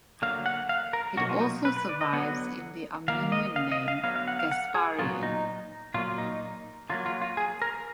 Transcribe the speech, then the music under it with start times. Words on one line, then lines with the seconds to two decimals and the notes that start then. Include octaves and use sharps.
It also survives in the Armenian name, Gasparian.
0.22 D3 F#3 A#3 F5
0.46 F#5
0.69 F5
0.93 A#4
1.17 B2 F#3 A#3 F#4
1.29 F4
1.41 D#4
1.65 B4
1.77 B4
1.89 D5
2.01 D#5
2.12 D3 F#3 B3 F#5
3.08 D#3 A#3 F5
3.32 D#5
3.56 F5
3.72 D#5
3.88 F5
4.04 D3 F#3 B3 F5
4.16 F5
4.28 F#5
4.39 F5
4.51 F#5
4.75 G#4
4.99 A#2 F#3 B3 F4
5.23 D#4
5.94 A#2 F#3 A#3 F4
6.18 D#4
6.90 D3 F#3 A#3 F4
7.06 F4
7.22 F4
7.37 G#4
7.62 A#4